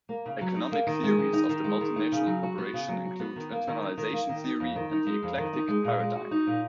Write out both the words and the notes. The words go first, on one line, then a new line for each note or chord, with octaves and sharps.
Economic theories of the multinational corporation include internalization theory and the eclectic paradigm.
A#3
C#3
F#3
D#4
A#3
D#3
G#3
D#3
D#4
D#3
G#3
D#3
D#4
C#3
F#3
F#4
B3
C#3
F#3
F#4
B3
D#3
A#3
D#3
D#4
D#3
A#3
D#3
D#4
F2
D#3
D#4
G#3
F2
D#3
D#4
G#3
A#2
G#3
F#4
D#4
A#2